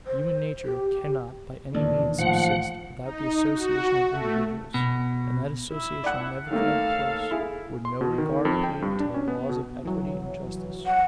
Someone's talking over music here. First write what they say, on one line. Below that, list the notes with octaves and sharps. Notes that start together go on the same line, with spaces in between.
Human nature cannot by any means subsist, without the association of individuals; and that association never could have place, were no regard paid to the laws of equity and justice.
C5
G4
E1 D#2 A#2 E3 D4
A1 A2 F3 F#5
D#4
F#4
A3
B2
E4
D5 F#5
D#2 A3 A#3 A4 F5
E4 G#4
C6
B2
D#3
F2
G5
G2
D4
C#4
B3
B2
C2 E3 F#3
F#5